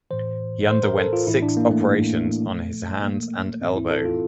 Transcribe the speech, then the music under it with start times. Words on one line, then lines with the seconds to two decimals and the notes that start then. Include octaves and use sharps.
He underwent six operations on his hands and elbow.
0.11 A2 E3 C5
0.69 C5
0.83 A#4
0.98 A4
1.13 F4
1.27 A2 E3 E4
1.42 D4
1.57 A#3
1.71 A3
2.44 A#2 F3
3.03 A#3
3.61 A2 E3 C4
3.76 E4
3.90 A4
4.05 F4